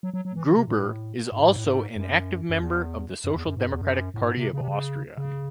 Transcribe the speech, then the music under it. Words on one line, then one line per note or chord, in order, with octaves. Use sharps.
Gruber is also an active member of the Social Democratic Party of Austria.
F#3
F#3
F#3
E3
D#3
C3
A2
G#2
A2
G#2
A2
G#2
F#2
F#2
E2
F#2
E2
F#2
G#2
F#2
E2
F#2
A2
G#2
C3
C#3
C3
C#3
C#3